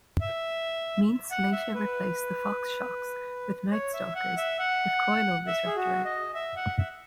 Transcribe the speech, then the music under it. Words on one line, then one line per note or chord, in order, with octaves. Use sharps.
Meents later replaced the Fox shocks with Knight Stalkers with coil-overs wrapped around it.
E5
F#5
E5
B4
C#5
E5
F#5
E5
F#5
E5
G#4
F#4
D#5
E5
F#5
E5